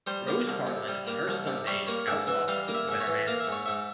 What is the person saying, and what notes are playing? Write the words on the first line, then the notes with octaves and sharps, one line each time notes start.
Rose Harland on her Sundays out walked with the better man.
G3 C5
A#3
C2
C3
G3
A#3
C2
C3
G3 C#5
A#3 C#5
G#2 E5
E3 E5
G3 F5
A#3
E5
G#2 E5
C#5
E3
A#3 F5
E5
G#2 C#5
G#2 E5